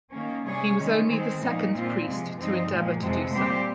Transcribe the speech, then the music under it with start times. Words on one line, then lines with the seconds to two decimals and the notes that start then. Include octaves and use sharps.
He was only the second priest to endeavor to do so.
0.12 D#3 A#3 C#4
0.44 C3 G3 C#4 G#4 C#5
0.77 D#3 G#3 C#4
1.09 D#3 G#3 C4
1.40 A#2 F3 A#3 D#4
1.73 A#2 F3 C4 F4
2.05 C3 F3 G#3
2.37 G2 F3 C4 D#4
2.68 A#2 F3 G#3
3.01 F2 C3 F3 G#3 C4
3.32 A#2 G3 C4 G4 C5